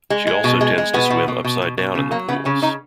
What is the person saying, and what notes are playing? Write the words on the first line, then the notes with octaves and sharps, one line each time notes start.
She also tends to swim upside down in the pools.
G#3
G#3
B2
G#3
G#3
B2 B3
B2
B2
B2
B2
B2
C#3
F#3 A#3
C#3 B3
C#3 C#4
C#3 D#4